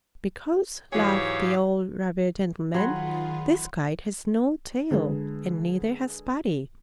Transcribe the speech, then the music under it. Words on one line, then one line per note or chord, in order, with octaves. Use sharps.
"Because," laughed the old rabbit gentleman, "this kite has no tail and neither has Buddy."
G#2 E3 F#3 G4 G#4 C#5 F5
D#3 F#3 F4 G#4 F#5 B5 C6
D3 G#3 G#4 B4